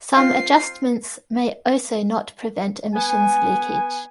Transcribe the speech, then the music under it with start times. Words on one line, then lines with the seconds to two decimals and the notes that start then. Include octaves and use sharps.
Some adjustments may also not prevent emissions leakage.
0.16 C4 F4 C7
2.94 B3 G#5